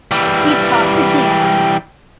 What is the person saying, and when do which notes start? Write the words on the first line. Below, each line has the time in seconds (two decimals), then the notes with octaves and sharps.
He taught the piano.
0.11 E3 G3